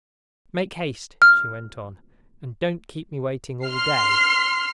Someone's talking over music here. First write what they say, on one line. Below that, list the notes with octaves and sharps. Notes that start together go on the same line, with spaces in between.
"Make haste," she went on, "and don't keep me waiting all day."
F6
C6 F6 C7